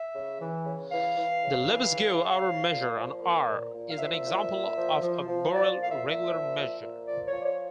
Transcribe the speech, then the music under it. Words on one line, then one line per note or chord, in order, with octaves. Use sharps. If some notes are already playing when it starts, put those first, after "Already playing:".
The Lebesgue outer measure on R is an example of a Borel regular measure.
Already playing: E5
C#3
E3
C#3
E3 F5
E3
C#3
E3
C#3
C#3
F3
A#2
F3
A#2
A#2
A#2
F5
F3 E5
A#2
A#2
F3
F3
F3
F3 D5
A#2 F5
E5
A#2
E5
F3
A#2
A#2
F3 D5
C#5
F3
D5
C#5